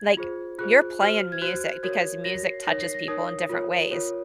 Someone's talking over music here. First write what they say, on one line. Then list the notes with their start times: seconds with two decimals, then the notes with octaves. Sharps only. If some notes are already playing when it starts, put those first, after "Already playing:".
like, you're playing music, because music touches people in different ways.
Already playing: G#6
0.17 F4 G#4 C5
0.59 F4 G#4 C5 F#6
1.00 F#4 C5 F6
1.32 G#6
1.42 F#4 C5 F#6
1.83 F#4 A#4 C#5 G#6
2.24 F#4 A#4 C#5 A#6
2.46 C7
2.67 D#4 A#4 C#5 A#6
2.81 C7
2.94 A#6
3.08 D#4 A#4 C#5 D#6
3.49 F4 A#4 C#5
3.91 F4 A#4 C#5